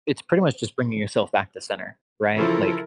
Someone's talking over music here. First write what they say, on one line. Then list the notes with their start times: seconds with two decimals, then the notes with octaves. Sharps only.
it's pretty much just bringing yourself back to center right? Like,
2.36 C#3 E3 F3 E4 A4 A#4